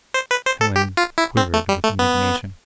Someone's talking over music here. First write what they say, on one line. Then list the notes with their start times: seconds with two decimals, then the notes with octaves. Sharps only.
Helen quivered with indignation.
0.14 C5
0.31 B4
0.46 C5
0.61 A4
0.76 G4
0.97 F4
1.18 E4
1.37 C4
1.54 A3
1.69 G3
1.84 A3
1.99 B3